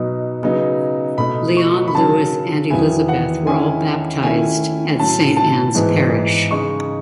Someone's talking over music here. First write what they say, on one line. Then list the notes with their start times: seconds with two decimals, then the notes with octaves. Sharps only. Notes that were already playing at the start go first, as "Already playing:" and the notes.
Leon, Louis, and Elizabeth were all baptized at Saint Ann's Parish.
Already playing: B2 F#3 B3 D#4
0.43 C#3 F#3 B3 D#4
1.18 B2 A3 D#4 B5
1.57 C#6
1.88 B5
1.95 C#3 F#3 C#4 A5
2.70 E2 D#3 F#3 B3 E4 G#5
3.08 F#5
3.47 D#3 G#3 C#4 E4 G#5
4.23 D#3 A3 C#4 E4 G#5
4.98 A2 F#3 C#4 A5
5.37 A5
5.75 G#2 E3 G#3 B3 D#4
6.51 C#3 G#3 D#4 C#6